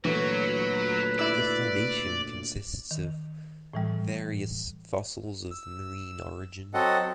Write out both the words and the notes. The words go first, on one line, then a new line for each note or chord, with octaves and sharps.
The formation consists of various fossils of marine origin.
D2 A#2 E3 F#3 A3 B4
E4 D5 E6
D#3
A2 E3 G3
E6
F#3 C4 A4 D#5 F#5